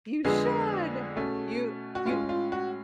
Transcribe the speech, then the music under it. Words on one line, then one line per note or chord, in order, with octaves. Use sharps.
you should! you you
F2 D3 G#3 B3 G#4
B2 A3 C#4
F#4
A2 G#3 C#4 F4
F4
F#4